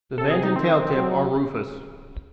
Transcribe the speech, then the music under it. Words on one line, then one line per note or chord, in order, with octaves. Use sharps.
The vent and tail-tip are rufous.
C3 A4
G#4
D#4
D#3 C4
F#3